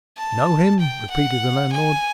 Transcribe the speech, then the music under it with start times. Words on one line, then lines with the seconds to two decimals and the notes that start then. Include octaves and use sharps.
"Know him!" repeated the landlord.
0.17 A5
0.79 G5
1.10 F#5
1.73 G#5